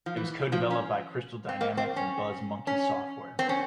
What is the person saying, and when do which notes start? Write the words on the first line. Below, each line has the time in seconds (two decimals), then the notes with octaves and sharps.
It was co-developed by Crystal Dynamics and Buzz Monkey Software.
0.06 F3
0.17 E3
0.52 F3
0.70 C#4
1.49 C4
1.61 A#3
1.77 C4
1.96 C#4
2.67 C#4
3.39 C4
3.49 C#4